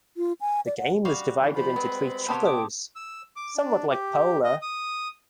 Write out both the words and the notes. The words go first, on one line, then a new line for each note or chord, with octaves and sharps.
The game was divided into three "chukkers", somewhat like polo.
F4
G#5
D5
F#5
G3 F#4 F5
D3 E3
F3 F4 C5 B5
G#3 B3 C4
C3 B3 C4 G4 C#5 A5
G5 D6 D#6
E6
D6
D4
G4
D#5
D#6